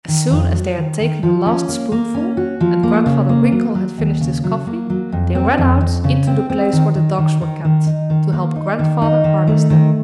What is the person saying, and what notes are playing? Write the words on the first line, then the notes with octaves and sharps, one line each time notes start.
As soon as they had taken the last spoonful, and Grandfather Winkle had finished his coffee, they ran out into the place where the dogs were kept, to help Grandfather harness them.
D#3
F2
F#3
D#3
D#3
F3
C#4
A#3
A#3
C#4
F#4
F3
A#3
C#3
A#3
F#3
F#3
D#2
C#3
F#3
A#3
F#3
F2
C4
F2
F2
C#3
C4
C4
D#3
D#3
D#3
D#3
D#3
D#4
D#3
A#3
D#4
D#3
D#4
D#3
A3
D#3